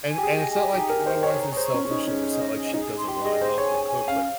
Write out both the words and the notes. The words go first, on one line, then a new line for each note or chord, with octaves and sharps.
And and it's not like my wife is selfish, and it's not like she doesn't wanna help or cook, but, eh
G#5
G4
G#4
D#5
G#4
G#5
G4
D#4 G4
A#4
D#4
C5
G#4
C#5
C#5 A#5
C#5
C5
C#6
C#4
C#4 G#4
D#4
C#4 G#4
D#5
G#4
D#4 G#4
C6
G4
D#5
G#4
C5 C6
C#5
G#5
C#5
G#5
C#4 F5